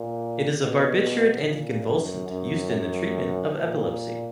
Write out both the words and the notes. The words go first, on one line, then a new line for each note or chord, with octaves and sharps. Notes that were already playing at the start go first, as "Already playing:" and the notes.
It is a barbiturate anticonvulsant, used in the treatment of epilepsy.
Already playing: A#2
B2
A#2
F#2
F#2
F#2
A#2